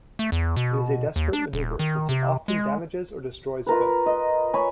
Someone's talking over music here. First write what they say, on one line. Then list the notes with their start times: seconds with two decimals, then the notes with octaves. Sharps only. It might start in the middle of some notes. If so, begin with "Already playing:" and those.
It is a desperate maneuver since it often damages or destroys both.
0.19 A3
0.32 E2
0.56 B2
1.16 D#2
1.33 D4
1.53 D#1
1.79 D#3
2.09 C3
2.48 G#3
3.66 F4 A#4 B4
4.06 D#5
4.54 C#5 G#5 B5